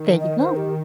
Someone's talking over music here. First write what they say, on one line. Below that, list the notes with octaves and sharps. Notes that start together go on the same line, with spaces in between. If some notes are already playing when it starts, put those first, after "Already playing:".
There you go.
Already playing: D#3
D#5
C5
G4